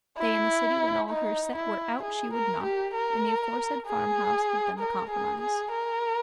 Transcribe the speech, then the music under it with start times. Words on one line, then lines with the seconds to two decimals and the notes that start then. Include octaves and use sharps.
Stay in the city when all her set were out she would not, and the aforesaid farmhouse had been the compromise.
0.17 E4
1.10 D#4
1.56 E4
2.03 G#4
2.33 A#4
2.63 G4
2.94 A#4
3.87 G#4
4.79 A#4
5.10 G#4
5.40 G#4
5.72 A#4